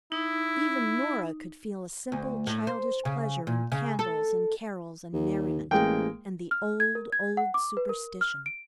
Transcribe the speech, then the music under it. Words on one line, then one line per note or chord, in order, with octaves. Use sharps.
Even Norah could feel a simple childish pleasure in candles and carols and merriment, and the old, old superstition.
D#4 E4
D2
A2
C5
C#3
A#2
C#3
A4
D#2
A1 G#3 A#3 G5
F6
G#6
A#4
G#6
F#5
D6
B4
A#4
F6
D7